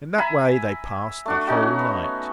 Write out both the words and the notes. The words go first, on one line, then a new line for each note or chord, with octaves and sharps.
In that way they passed the whole night.
E5 G#5 A#5 B5
A3 D4 F#4
C#4 D#4 F#4
B3